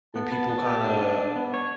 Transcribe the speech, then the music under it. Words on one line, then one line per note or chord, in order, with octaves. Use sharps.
when people kinda
B3 A5
B3
B3
G4
D4
D4
D4
B3
C#5